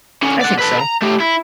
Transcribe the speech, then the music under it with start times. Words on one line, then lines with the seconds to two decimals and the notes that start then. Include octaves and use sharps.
I think so.
0.23 D3 C#4
0.41 D5 F#5
0.59 A4 B4
0.80 A#5
1.02 A3 G4
1.20 E4